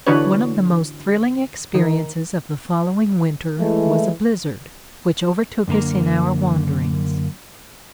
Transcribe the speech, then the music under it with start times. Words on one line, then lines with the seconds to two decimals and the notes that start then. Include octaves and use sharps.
One of the most thrilling experiences of the following winter was a blizzard, which overtook us in our wanderings.
0.07 D3 E3 D4 F#4 B4 C#5
1.75 D#3
3.60 E3 G#3 A3 E4
5.68 F#2 D3 A#3 A#5